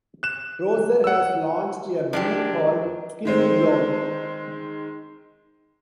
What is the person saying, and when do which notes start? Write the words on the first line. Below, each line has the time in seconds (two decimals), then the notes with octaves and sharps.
Rosser has launched a beer called "Skinny Blonde".
0.23 F#6 E7
1.04 F#5 E6
2.13 F#2 G#3 D4 G4
3.25 D#3 G#3 C4